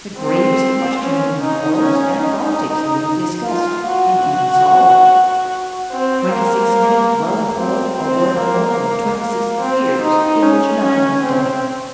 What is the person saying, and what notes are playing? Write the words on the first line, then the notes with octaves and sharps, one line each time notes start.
The gravest questions of morals and politics may be discussed, and even solved. Twenty-six minutes well employed are worth more than twenty-six years in which nothing is done.
C4
C#4
D#4
C#4
D#4
F4
F#4
C4
A#3
C4
C4
A#3
A#3
C4
D#4
C#4
C#4
C4